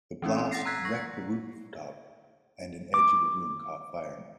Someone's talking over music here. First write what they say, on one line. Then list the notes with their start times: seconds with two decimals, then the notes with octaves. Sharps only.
The blast wrecked the rooftop and an edge of the room caught fire.
0.22 E3 C4 C#4 E4
0.37 C6
0.51 F#5 A6 A#6 C7
0.65 A#5 E6 F#6 G#6 B6 C7
0.85 C#6 A#6
2.94 D6